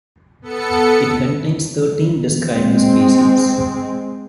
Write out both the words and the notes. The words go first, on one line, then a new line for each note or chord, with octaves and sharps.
It contains thirteen described species.
B3 A4 C#7
G#3 C4